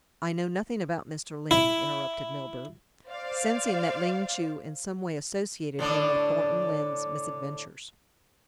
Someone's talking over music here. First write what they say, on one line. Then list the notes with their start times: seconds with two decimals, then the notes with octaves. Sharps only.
"I know nothing about Mr. Lyne," interrupted Milburgh, sensing that Ling Chu in some way associated him with Thornton Lyne's misadventures.
1.51 E4
3.08 C5 D5 F5
5.79 A2 D3 D4